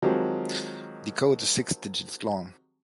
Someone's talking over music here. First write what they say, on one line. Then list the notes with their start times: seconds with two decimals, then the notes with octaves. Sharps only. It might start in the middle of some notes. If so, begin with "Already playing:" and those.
The code is six digits long.
0.02 D#3 F3 F#3 G#3 C4 G4